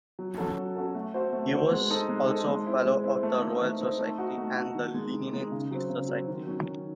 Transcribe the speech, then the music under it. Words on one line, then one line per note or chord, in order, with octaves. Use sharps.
He was also a Fellow of the Royal Society and the Linnean Society.
F#3
C#4 F#4 A4
F#3
C#4 F#4 A4
A3
C4 F#4 C5
A3
C4 F#4 C5
G#3
D#4 A4 C5
G#3
D#4 A4 C5
G#3
C4 E4
G#3
C4 E4
A3
C4 D#4
A3
C4 D#4
A3
D#4 F#4
A3
D#4 F#4
D#3
G#3 D#4
D#3
G#3 D#4
C#3
F#3 C4
C#3
F#3 C4
D#3
F#3 C#4
D#3